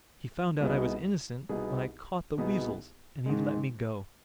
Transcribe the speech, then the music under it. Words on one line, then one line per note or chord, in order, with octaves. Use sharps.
He found out I was innocent when I caught the Weasels and he let me go.
C2 B2 B3 D#4 G#4
C2 B2 B3 D#4 G#4
C2 B2 B3 D#4 G#4
G#2 D#3 G#3